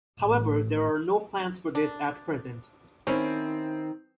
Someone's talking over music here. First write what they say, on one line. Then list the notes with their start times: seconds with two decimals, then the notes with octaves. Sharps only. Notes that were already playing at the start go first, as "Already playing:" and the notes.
However, there are no plans for this at present.
0.20 A1
1.75 D4
3.07 D#3 C4 C#4 E4